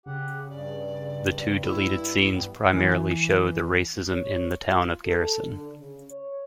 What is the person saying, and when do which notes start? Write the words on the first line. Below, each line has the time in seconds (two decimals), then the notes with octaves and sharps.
The two deleted scenes primarily show the racism in the town of Garrison.
0.06 C#3 G4 F#5
0.50 G2 D5
1.62 E4
2.30 G2 E3 G3 B3
2.74 E3
4.13 C#5
4.65 F4
5.05 A4
5.47 D3
5.79 C#3
6.11 C#5